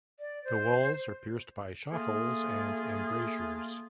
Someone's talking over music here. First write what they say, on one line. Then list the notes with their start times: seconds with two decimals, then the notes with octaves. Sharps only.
The walls are pierced by shot holes and embrasures.
0.19 D5
0.44 C5
1.93 A3 A#3 F4 G#4